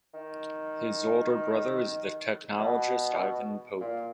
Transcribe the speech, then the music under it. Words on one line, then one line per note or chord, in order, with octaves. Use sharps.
His older brother is the technologist Ivan Pope.
D#3
B2
A#2